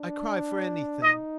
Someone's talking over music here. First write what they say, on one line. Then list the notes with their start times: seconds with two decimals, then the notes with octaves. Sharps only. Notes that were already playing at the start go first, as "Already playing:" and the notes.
I cry for anything.
Already playing: D4
1.03 D#4 D#5